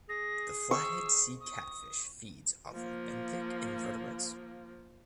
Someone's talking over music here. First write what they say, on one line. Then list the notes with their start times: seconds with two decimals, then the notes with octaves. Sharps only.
The flathead sea catfish feeds off of benthic invertebrates.
0.09 G#4 A#6
0.71 C#6 E6
1.41 D#6
2.72 F3 A#3